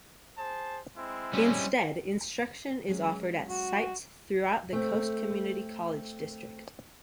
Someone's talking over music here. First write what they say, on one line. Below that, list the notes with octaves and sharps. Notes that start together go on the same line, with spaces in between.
Instead, instruction is offered at sites throughout the Coast Community College District.
G#4 C5 A5
G#3 C4 E4
G3 C#4
F#3 G#3 C#4
F#4
A3 C4